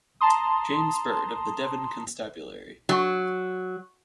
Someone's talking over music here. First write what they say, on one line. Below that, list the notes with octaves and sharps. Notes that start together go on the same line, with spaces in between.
James Bird of the Devon constabulary.
A5 A#5 C6 D#6
F#3